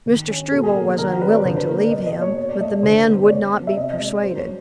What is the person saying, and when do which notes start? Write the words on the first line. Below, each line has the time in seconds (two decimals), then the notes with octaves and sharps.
Mr. Struble was unwilling to leave him, but the man would not be persuaded.
0.06 D#3
0.28 C#4
0.51 B2 A4
0.63 G#4
0.75 A#3 A#4
0.98 D#3 A#4
1.10 F#4
1.21 C4 B4
1.29 D5
1.32 C#5
1.45 D3 C5
1.57 B4
1.67 A#3 A#4
1.80 D5
1.91 B2 D#5
2.06 D#5
2.14 A#3
2.22 C#5
2.37 B2 C#5
2.49 D5
2.60 A3 D#5
2.73 D5
2.83 D3 C5
2.99 B4
3.07 B3
3.15 C5
3.24 D5
3.30 C#3 C#5
3.53 B3
3.67 E5
3.76 C3 D#5
3.93 D#5
3.99 G#3
4.07 D5
4.22 F#3 C5
4.38 C#5